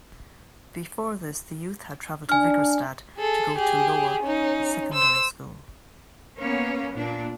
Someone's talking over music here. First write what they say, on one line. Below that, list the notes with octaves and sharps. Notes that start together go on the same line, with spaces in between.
Before this the youth had traveled to Vigrestad to go to lower secondary school.
D4 G#5 F6
G#4 A4
G4 G#4
C#4 D#4
C5 E6
A#3 B3 C#4
A#2 D4